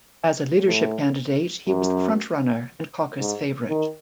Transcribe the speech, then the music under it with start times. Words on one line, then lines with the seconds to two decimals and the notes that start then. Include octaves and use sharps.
As a leadership candidate, he was the front-runner and caucus favourite.
0.67 A2
1.68 F#2
3.19 G#2
3.69 D#3